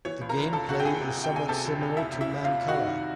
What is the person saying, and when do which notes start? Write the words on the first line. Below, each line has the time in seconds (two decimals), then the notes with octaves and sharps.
The gameplay is somewhat similar to mancala.
0.05 E3 C#5 C#6
0.21 C#2
0.29 A#4 A#5
0.37 C#2
0.53 C#2 A4 A5
0.69 C3 F#4 F#5
0.80 G5
0.85 C#2 G#4 G#5
1.01 C3
1.17 C#2
1.24 G5
1.33 C3 G#5
1.49 C3 A4 A5
1.65 C#2
1.81 C#2
1.97 F1 E4 E5
2.13 C3
2.21 E4 E5
2.29 F1
2.44 C3 F4 F5
2.60 F1
2.68 F#4 F#5
2.76 D#3